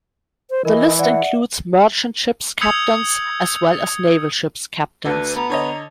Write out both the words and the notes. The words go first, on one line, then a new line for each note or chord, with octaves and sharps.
The list includes merchant ship's captains as well as naval ship's captains.
C5
E3 A#4 D#5
D5 E5 F#5
D#6 E6 G6 G#6 C#7 F7
D2 D3 B4
B3 A#5
D3 C#5 D#5 A#5